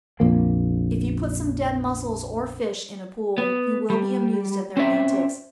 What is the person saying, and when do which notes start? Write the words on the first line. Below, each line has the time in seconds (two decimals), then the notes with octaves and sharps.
If you put some dead mussels or fish in a pool, you will be amused at their antics.
0.20 A#1 F2 A#3
3.38 B3
3.90 G3
4.77 C4 C#4 C5 D5 E5